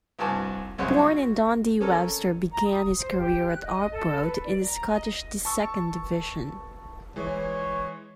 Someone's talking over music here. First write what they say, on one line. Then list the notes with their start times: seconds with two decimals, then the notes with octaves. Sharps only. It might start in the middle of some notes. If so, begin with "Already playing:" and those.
Born in Dundee, Webster began his career at Arbroath in the Scottish Second Division.
0.19 C2 G2 F#4 G#5 A5 D6
0.78 C2 F#2 C#3 C#5 F#5 C6
0.98 F#4
1.81 C#4 A4 A#4
2.51 A#5
2.66 D#6
2.98 C5
3.18 G4
3.48 F#6
3.65 D#5
3.92 A4
4.22 B4
4.43 D5
4.64 A#5
4.88 D#5
5.45 A5 C#6 E6
7.16 E3 G#3 C#5